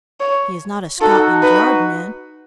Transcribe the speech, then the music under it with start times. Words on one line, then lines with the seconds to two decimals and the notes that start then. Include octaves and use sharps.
He is not a Scotland Yard man.
0.20 C#5
1.01 D#4 F#4 A4
1.43 B4